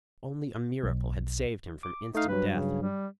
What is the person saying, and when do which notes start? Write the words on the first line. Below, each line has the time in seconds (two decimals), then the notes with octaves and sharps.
Only a miracle had saved him from instant death.
0.83 B1
1.83 D6
2.15 A3 D#4 F5
2.28 G2 F#3 B4
2.51 C#3
2.82 G3